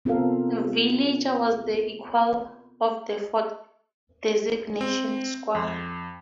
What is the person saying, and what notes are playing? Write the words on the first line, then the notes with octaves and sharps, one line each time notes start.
Villager was the equal of the Ford designation "Squire".
B3 C4 F4 A4 A#4 F5
C4
F2